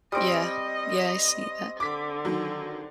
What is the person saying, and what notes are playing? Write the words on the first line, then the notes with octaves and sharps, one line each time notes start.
Yeah, yeah, I see that.
G3 C4 D#5 D#6 D7
D3 D6 B6
D#3 F#3